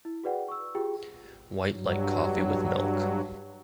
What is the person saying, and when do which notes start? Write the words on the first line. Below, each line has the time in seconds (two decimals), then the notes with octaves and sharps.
White like coffee with milk!
0.05 E4
0.24 F#4 G#4 B4 D5 F#5 G5
0.48 C#6 E6
0.75 F4 G4 G#4 G5
1.72 G2 F#3